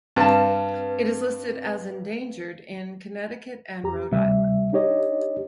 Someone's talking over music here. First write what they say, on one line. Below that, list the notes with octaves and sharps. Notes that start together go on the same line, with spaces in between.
It is listed as endangered in Connecticut and Rhode Island.
G2 C4 B4 A5
F2 G4 A#5
D2 C3 G3 E5
D4 D#4 G4 C#5 D#5